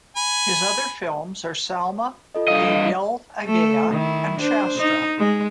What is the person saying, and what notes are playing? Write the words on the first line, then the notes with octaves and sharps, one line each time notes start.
His other films are "Salma Pe Dil Aa Gaya" and "Shastra".
G#5 B5
F4 A4 D#5
G2 D#5 F5
A3 A4
D#3 E4
D4 C5
D#4
G#3